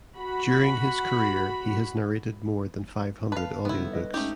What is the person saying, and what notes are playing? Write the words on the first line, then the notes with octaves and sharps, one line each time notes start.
During his career he has narrated more than five hundred audiobooks.
F#4 B5
B4 F5 A5
G1 D#2 C3 D#3 B3 E4
B4 D#5
G#2 A3 C#4 D#4 G4